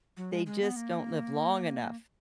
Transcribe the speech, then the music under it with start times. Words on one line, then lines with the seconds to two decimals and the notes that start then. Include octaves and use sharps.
they just don't live long enough.
0.17 F#3
0.31 G#3
0.46 G#3
0.61 B3
0.76 A#3